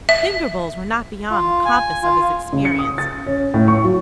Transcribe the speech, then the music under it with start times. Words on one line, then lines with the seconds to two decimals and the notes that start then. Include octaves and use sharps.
Finger-bowls were not beyond the compass of his experience.
0.09 E5
1.30 F4
1.65 G#5
2.03 F4
2.53 C#3
2.65 C#7
2.79 D#6
2.98 A6
3.26 C#4
3.54 A2
3.68 C#6
3.84 F#3